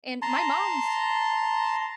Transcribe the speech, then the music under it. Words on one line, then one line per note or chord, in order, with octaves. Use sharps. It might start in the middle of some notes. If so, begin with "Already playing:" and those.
And my mom's
A5 A#5 C6